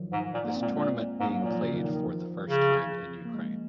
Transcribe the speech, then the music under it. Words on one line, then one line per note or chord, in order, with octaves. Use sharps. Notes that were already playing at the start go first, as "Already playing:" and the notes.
This tournament being played for the first time in Ukraine.
Already playing: D#3 F3 F#3
G#2
A#2
G#2 A#3
C4
A#2
G#3
A#2
G#2 A#3
F#3
A#2 F#3
F3
C#3
D#3
D#3
D#3
F3
C#3
A#3
G#3